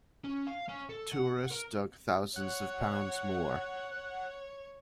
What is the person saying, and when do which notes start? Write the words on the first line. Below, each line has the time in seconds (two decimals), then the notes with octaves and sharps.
Tourists dug thousands of pounds more.
0.24 C#4
0.47 F5
0.68 C#4
0.89 A4
1.12 F#5
1.52 A#4
2.36 C#5 F#5
3.94 C#5